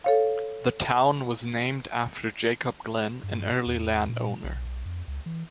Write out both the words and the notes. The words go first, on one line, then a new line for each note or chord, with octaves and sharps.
The town was named after Jacob Glen, an early landowner.
A4 C#5 F5
G2
E2
A#2
B1
B1
F2
C#2
E3